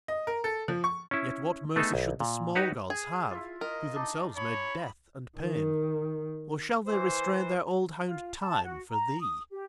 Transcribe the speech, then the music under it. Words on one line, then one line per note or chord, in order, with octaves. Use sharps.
Yet what mercy should the small gods have, who themselves made Death and Pain; or shall they restrain their old hound Time for thee?
D#5
A#4
A4
F3
C#6
C#4 E4
A3 B3 D#4 G#4 A4
B1
A#2
D#4 F#4 G4 B4 C#5
G#4
E4 F4
A#4 D#5
D4 D#4
C#5 B5
D#3
E3 C5
F4
A5
F#4
A#5
D#6
G4